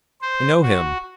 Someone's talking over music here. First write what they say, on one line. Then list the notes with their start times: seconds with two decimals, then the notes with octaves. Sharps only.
I know him.
0.21 C5
0.62 F#4